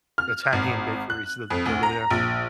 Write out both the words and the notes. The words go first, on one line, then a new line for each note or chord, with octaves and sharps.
Italian bakeries th th that are there,
F6
G#1
F#6
F2
D2
A#5
A#1